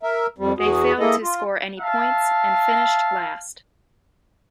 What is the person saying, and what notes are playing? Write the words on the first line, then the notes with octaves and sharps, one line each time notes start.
They failed to score any points and finished last.
A#4 E5
F2 G3
E2 F#4 G#4
A#3 E4 G#4 A4 D#5
F4
E5 F5 A5